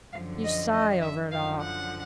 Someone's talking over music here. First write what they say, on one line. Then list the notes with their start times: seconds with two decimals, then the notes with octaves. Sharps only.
'You sigh over it all.
0.13 F#2 D3 F3 F5
0.43 D#5
0.72 D#5
1.01 E5
1.30 F#2 D3 F3 F5
1.60 F#5